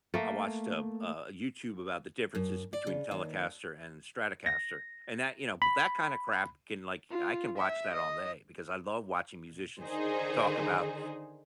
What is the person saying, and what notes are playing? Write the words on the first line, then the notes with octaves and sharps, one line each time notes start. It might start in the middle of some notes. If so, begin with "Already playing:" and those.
I watched a, uh, YouTube about the differences between Telecaster and Stratocaster, and that you know, that kinda crap can, like, I can watch that all day, because I love watching musicians talk about
A3 A#3
F#2
D5
C#3
D#2
A#6
B5
F4
E5
D#5
D3 D#3 D#4 G#4 C5